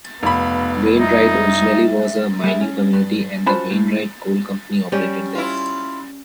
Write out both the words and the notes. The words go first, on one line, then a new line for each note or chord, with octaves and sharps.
Wainwright originally was a mining community and the Wainwright Coal Company operated there.
F1 B3 F5 B5
G3 D#4 E5
G3 G#3 E5
C#4
G2
C#4 F4 F#4 C5 A5 B5
A2
G3 C#4 D5
E4 F4